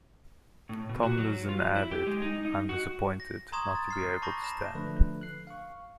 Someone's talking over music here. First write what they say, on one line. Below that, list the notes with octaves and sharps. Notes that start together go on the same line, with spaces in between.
Tomlinson added: I am disappointed not to be able to stand.
A2
B2
F#4
F#3
F4
F#3
E4
G4
G#3
D#4
D#4
F#4
A#6
A#5 C6 C#6 D#6 G#6 E7
A6
F6 C7
A5 B5 C#6 D6 G6 A#6
B5 A#6 E7
D3 F3 A3 D4 B4
F#6 C7
F5 C#6